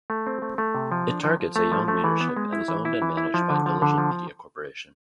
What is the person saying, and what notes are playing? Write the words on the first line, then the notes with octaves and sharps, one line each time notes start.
It targets a young readership and is owned and managed by Diligent Media Corporation.
A3
C4
A3
A3
C3
F3
D4
F3
F3
A3
F3
A3
E3
B3
G#3
E4
E3
E4
E3
E4
F3
D3
F3
D3
F3